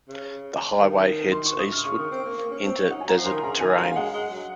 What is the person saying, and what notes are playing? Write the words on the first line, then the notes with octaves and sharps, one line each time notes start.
The highway heads eastward into desert terrain.
C#3
D#3
C6
C#6
D#6
F6
C#3 C#6
D#3
C4
A#3
A#3
C#4
C4
C#4
D#4 F#5
G#5
F#3 A#5
F3
D#3 C6
C#3 A#5
D#3 G#5
F#3 F5
G#3 F#5
G#3
F#3